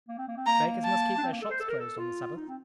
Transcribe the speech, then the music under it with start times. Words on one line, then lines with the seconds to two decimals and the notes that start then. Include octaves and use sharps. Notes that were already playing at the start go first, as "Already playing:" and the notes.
Bakers must keep their shops closed on the Sabbath.
0.08 A#3
0.18 C4
0.28 A#3
0.37 C4
0.46 A#3 A#5
0.85 A5
1.17 D4
1.23 C4
1.32 A#3
1.42 A4
1.51 C5
1.60 A4
1.69 A#4
1.80 A4
1.98 F4
2.36 D#4
2.48 C4